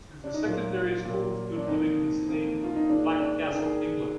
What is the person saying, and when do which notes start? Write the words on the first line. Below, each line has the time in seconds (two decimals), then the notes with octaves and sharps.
She was a secondary school student living in the city of Blackcastle, England.
0.24 D4
0.34 D#4
0.45 A#2 F#3 A#3 F4
1.05 A#2 F#3 A#3
1.56 D4
1.67 F2 D#3 A#3 D#4
2.28 F2 D#3 A#3
2.64 F4
2.76 D#4
2.89 G#2 D#3 A#3 D4
3.20 D4
3.50 G#2 D#3 A#3 G#4
3.58 A#4
3.65 G#4